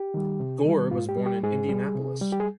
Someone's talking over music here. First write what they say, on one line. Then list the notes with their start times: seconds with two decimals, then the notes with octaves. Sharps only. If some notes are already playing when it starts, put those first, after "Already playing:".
Gore was born in Indianapolis.
Already playing: G4
0.14 D#3 G3
0.40 C3
0.65 D#3 G3
0.91 G#2 F4
1.09 G4
1.17 G3
1.26 G4
1.43 G#2 G#4
1.69 G3
1.95 C3
2.21 G3
2.32 G4
2.40 G#4